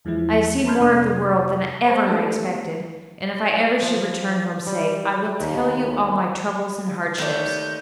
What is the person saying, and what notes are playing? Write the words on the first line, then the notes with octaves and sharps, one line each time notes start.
I have seen more of the world than ever I expected, and if I ever should return home safe, I will tell you all my troubles and hardships.
E2 E3 F3 G#3 E4
A5 B5 C6 F6 G6 G#6
F2 C3 A#3 D4 D#6
C5 A5 B5 C#6
G#3 A3 B3 D4 G4 A4
F3
G3
D#2
D#2
D#2 A3 B3 D5 G6